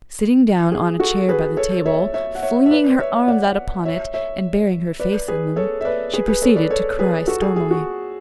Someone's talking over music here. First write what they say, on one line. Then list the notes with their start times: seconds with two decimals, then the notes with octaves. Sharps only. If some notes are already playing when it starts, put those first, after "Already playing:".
Sitting down on a chair by the table, flinging her arms out upon it, and burying her face in them, she proceeded to cry stormily.
0.72 G#4
1.00 F#4 A4
1.29 G#4 B4
1.57 A4 C#5
1.86 C#5 E5
2.14 C#5 E5
2.35 F#5
2.42 C#5 E5
2.66 E5
2.71 B4 D5
3.00 C#5 E5
3.28 D5 F#5
3.85 C#5 E5
4.14 C#5 E5
5.00 B4 D5
5.28 G#4 B4
5.56 A4 C#5
5.81 E5
5.85 B4 D5
6.14 G#4 B4
6.28 G#4 B4
6.42 A4 C#5
6.56 B4 D5
6.70 A4 C#5
6.99 G#4 B4
7.27 F#4 A4
7.41 G#4
7.56 G#4
7.71 F#4